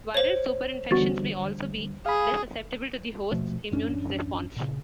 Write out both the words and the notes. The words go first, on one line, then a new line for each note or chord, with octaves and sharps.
Viral superinfections may also be less susceptible to the host's immune response.
C5 C#5
E2 D3 G3 B3 F#4 A6
G#4 F5 B5
D#1 B2 F3 A3
A1 F#2 C#4 D4
A#2 C#3